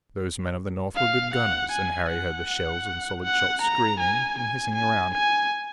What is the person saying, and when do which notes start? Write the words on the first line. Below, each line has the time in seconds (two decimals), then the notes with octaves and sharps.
Those men of the North were good gunners and Harry heard the shells and solid shot screaming and hissing around.
0.96 F5
1.34 F#5
1.72 G#5
2.10 F#5
3.24 F#5
3.62 A#5
4.00 G#5
4.38 G#5
4.76 G#5
5.14 G#5